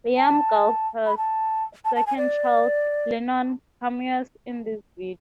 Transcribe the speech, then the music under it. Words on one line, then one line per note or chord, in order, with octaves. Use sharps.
Liam Gallagher's second child, Lennon, cameos in this video.
A5
B5
A5
A5
A5
G#5
D5